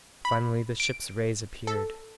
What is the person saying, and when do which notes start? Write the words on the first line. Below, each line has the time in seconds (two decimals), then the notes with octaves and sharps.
Finally the ship's rays appeared.
0.25 B5
0.80 D7
1.67 A4